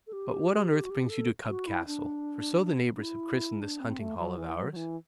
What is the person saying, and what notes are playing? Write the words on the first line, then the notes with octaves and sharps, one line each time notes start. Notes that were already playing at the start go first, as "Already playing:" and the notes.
But what on earth brings you to Cub-Castle?--for so the neighbours have christened this hunting-hall of ours.
A4
G4
G4
F#4
G4
A4
F#4
E4
D4
D4
E4
D4
C4
A3
F#3
E3
F#3
F#3
E3